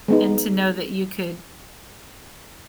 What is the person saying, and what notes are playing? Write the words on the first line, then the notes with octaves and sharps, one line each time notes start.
and to know that you could
G#3 B3 D#4